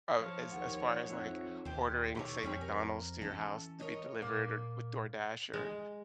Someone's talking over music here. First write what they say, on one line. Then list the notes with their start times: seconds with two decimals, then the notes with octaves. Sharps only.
uh, as as far as like ordering, say, McDonald's to your house to be delivered or with DoorDash or
0.17 F3 C#5 F5 A5
0.52 D#2 F#5 C#6
1.10 F2 D#4 E5 F#5 F#6
1.65 D#2 G4 C5
2.15 B2 D3 D#3 C#5
2.43 F2 G3 C#4 G#4
2.61 A#4
3.22 E3 C#4 A4
3.80 A#4 C#5 D#5
4.22 A#2 A#3
5.54 G#3